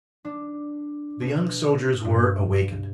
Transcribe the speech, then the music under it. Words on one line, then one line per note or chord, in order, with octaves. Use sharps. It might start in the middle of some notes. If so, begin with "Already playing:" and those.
The young soldiers were awakened.
D4
B2
G2